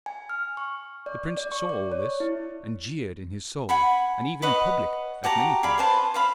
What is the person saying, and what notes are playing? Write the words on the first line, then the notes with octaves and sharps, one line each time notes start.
The prince saw all this, and jeered in his soul and even in public at many things.
G#5
F6
C#6
D5
D5
C#6
D5
C#5
E4
F#5 G#5 B5
B4 C#5 D#5 F#5
F#4 G4 A5 A#5
G#4 D5 F5 B5
B4 C5 A5
C5 F5 B5